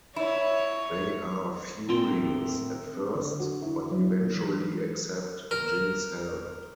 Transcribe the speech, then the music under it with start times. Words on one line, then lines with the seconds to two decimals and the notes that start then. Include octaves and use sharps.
They are furious at first, but eventually accept Jing's help.
0.16 E4 C#5
1.89 A2 C4 E4 A#4 G5 C6
3.15 D3
3.40 F#4
3.62 E4
3.91 F#3
4.35 E3
5.51 A#4